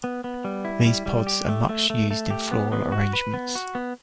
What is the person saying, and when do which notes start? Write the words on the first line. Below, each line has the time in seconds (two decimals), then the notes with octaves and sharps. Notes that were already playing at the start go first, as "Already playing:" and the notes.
These pods are much used in floral arrangements.
0.04 B3
0.24 B3
0.45 G3
0.65 E4
0.85 G3
1.06 G3
1.27 G4
1.48 A3
1.69 A3
1.90 A3
2.11 A3
2.31 G4
2.51 B3
2.72 B3
2.92 F#4
3.13 B4
3.34 B3
3.55 F#4
3.75 B3